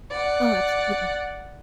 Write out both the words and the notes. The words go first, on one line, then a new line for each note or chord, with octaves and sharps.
Oh, absolutely.
D5 F#5